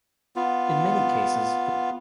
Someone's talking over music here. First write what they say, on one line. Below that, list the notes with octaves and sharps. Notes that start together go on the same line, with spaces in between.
In many cases, the songwriters were also the performers.
B3 F4